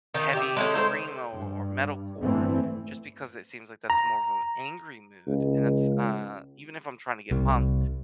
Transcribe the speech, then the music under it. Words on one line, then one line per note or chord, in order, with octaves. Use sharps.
heavy screamo, or metal core just because it seems like that's more of an angry mood and that's, uh, even if I'm trying to get pumped,
D#3 D#4
G4 E5
G#3 A3 C#4
D#4 A4 A#4 C5
G2
G1 E3 A3 C4
A#5
C#2
C2